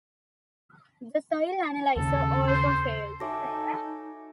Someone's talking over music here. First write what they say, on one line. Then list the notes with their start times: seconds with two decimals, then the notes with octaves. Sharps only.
The soil analyzer also failed.
1.96 D#2 C#3 A4
2.48 C5
3.20 D#4 F#4 A4 C#5 E5 G#5 D6 A#6